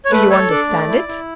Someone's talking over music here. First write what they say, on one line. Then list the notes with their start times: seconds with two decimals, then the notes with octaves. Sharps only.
"Do you understand it?"
0.05 C#5
0.11 A3 B4
0.30 A4 C#5
0.50 D4 D5
0.69 A3
0.89 E4
1.08 E4